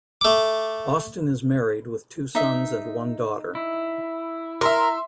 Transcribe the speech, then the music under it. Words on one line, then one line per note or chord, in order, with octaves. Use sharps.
Austin is married with two sons and one daughter.
A3 D6
D#4 E5
E4
A#4 E5 C6